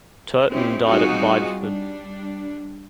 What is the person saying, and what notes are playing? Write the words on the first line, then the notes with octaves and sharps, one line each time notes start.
Turton died at Bideford.
C4 C#4 D#4 E4 G4
G3 C4 D#4 F4 F#4 G#4
G3 D4